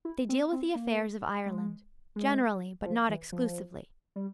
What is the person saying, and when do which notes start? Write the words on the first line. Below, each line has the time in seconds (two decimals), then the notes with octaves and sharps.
They deal with the affairs of Ireland--generally but not exclusively.
0.05 E4
0.29 C4
0.53 C4
0.75 A#3
1.46 G#3
2.16 G#3
2.85 F3
3.09 E3
3.32 F3
4.16 G3